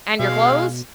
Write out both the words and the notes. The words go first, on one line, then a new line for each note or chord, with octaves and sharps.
"And your clothes?"
B2 G#3 F5